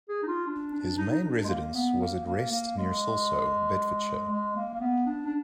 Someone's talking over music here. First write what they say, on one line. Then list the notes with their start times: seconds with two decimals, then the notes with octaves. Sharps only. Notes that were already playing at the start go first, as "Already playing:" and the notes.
His main residence was at Wrest near Silsoe, Bedfordshire.
0.09 G#4
0.23 D#4
0.28 F4
0.47 D4
0.73 D4
0.98 D#4
1.13 D#4
1.24 D4
1.44 G#3
1.48 A#3
1.75 B3
2.01 A#3
2.26 A#3
2.51 A#3
2.77 G#3
4.30 G#3
4.56 A#3
4.74 A#3
4.81 B3
5.06 D4
5.26 D4